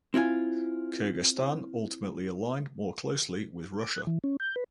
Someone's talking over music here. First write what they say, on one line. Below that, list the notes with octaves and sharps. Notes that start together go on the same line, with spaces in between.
Kyrgyzstan ultimately aligned more closely with Russia.
C4 E4 F4 G#5
D6
F#6
E3
C#4
G6
B4